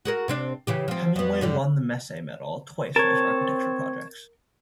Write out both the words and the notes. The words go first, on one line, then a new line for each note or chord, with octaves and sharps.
Hemingway won the Massey medal twice for his architecture projects.
F#4 G#4 A#4
C3 C4 D4
C#3 E3 G4
F3 C4
F2 B3
F#2 D3 G3
C4 A#4 C#5 A5